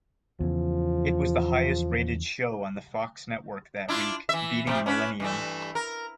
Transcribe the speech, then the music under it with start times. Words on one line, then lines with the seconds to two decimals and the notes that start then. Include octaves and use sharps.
It was the highest-rated show on the Fox network that week, beating "Millennium".
0.40 E2 C#3 F3
3.89 D4 E4 F4
4.29 E3 E5
4.67 C3 F3 G3
4.86 C#4 D4 B4
5.20 G2 E3 A3
5.75 A#4